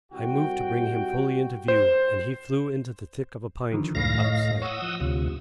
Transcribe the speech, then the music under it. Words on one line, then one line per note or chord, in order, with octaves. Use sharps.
I moved to bring him fully into view, and he flew into the thick of a pine-tree out of sight.
C2 F#4 G5
C5
D3 D#3 F3
C#2 F#2 A2 D#3 F5 A#6
C#5 D#5
C#5 F#5 D#6 E6
F3
D2 C3 F4